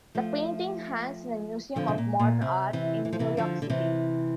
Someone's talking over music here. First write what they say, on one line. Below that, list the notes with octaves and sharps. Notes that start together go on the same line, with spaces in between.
The painting hangs in the Museum of Modern Art in New York City.
F3 A3
D3 F3
C3
A#2
A#2
C3
C3 E3
E3
F3
C3 E3
D3 F3
D3
C3 E3